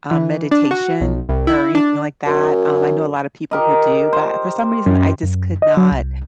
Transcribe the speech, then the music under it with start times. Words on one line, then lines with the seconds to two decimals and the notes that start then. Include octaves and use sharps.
um, meditation, or anything like that, um, I know a lotta people who do, but I for some reason, I just could not
0.11 E3
0.51 D4
0.71 F#4
1.01 B1
1.29 C2
1.47 E4
1.75 D4
2.27 F#2
3.51 G4 A#4 D#5
4.13 C5
4.86 F#2
5.23 F#2
5.62 D#5
5.77 F#3
5.92 C2